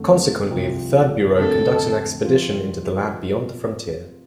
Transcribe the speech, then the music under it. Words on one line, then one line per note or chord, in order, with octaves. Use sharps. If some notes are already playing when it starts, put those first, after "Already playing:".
Consequently, the Third Bureau conducts an expedition into the land beyond the frontier.
Already playing: F2 D3 A3
C2 C3 F3
F2 D3 A3 A4
C3 F3 C4 F4